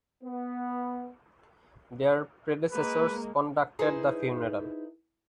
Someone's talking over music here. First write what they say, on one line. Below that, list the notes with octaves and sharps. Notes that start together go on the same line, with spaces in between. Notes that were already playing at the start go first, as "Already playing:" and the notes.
Their predecessors conducted the funeral.
B3
G#3 A#3 B4
D#4 E4 G#4 B4 C5